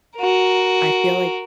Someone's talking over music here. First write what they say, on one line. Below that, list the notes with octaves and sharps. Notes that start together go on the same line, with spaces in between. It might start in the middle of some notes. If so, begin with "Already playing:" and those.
I feel like
F#4 A#4